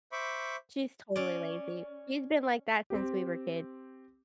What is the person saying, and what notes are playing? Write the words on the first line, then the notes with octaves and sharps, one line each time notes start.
She's totally lazy, she's been like that since we were kids.
C5 E5 B5 C#6 D6
C#4 D5
C4 G4